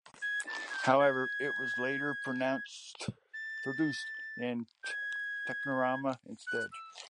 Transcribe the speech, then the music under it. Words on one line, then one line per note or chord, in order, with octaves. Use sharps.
However, it was later produced in Technirama instead.
G#6
A6
G#6
G6
G#6
A6
G6
G#6
F#6
E6